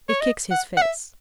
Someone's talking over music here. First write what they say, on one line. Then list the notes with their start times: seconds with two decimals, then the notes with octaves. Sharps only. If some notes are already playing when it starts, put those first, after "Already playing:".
It kicks his face.
0.09 C#5
0.21 D#5
0.51 F#5
0.77 F#5
0.82 E5